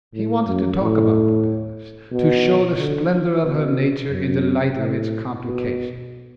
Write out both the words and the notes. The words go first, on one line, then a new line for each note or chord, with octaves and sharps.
He wanted to talk about the business, to show the splendour of her nature in the light of its complications.
A2
F#2
A2
B2
D3
B2
F#2
A2
B2